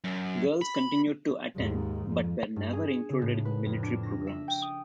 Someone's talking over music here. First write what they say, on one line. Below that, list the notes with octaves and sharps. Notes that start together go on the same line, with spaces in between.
Girls continued to attend but were never included in military programs.
F#2
B5
D#2 G#2
F2
G2
G#4
C#7
C#3
A2
B4
F2
D4
A#6
E5
G5
D#6